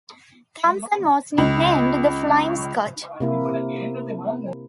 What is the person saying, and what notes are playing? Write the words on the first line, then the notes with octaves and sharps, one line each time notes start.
Thomson was nicknamed the Flying Scot.
C#2
C3 A#3 E4